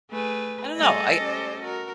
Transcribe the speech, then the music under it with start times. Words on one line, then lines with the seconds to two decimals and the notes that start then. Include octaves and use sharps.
I don't know, I
0.11 A3 G#4 B4
0.76 G3 A3 G#4 A4 D#5
1.18 C#4 G4 C5
1.62 F#4 A#4